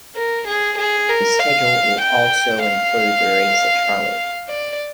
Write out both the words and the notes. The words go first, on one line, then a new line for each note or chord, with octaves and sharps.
His schedule will also include the race at Charlotte.
A#4
G#4
G#4
A#4
F5
G5
F5
D5